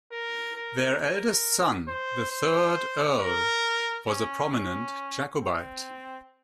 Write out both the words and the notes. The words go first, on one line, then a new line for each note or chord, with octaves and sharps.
Their eldest son, the third Earl, was a prominent Jacobite.
A#4
A#4
A#4
C5
C5
A#4
C#4
C#4
C4